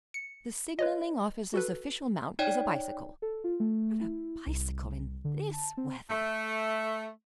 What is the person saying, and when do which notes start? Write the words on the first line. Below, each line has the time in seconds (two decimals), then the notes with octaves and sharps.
The Signalling Officer's official mount is a bicycle, but a bicycle in this weather--!
0.14 C#7
0.79 B4 C#5 D#5
1.54 F#4 A4 B4
2.39 D#4 C#5 D5 G5
3.22 A4
3.44 F4
3.60 A3
4.01 E4
4.46 C2
5.24 D3
5.53 A5
5.77 C4
6.10 A3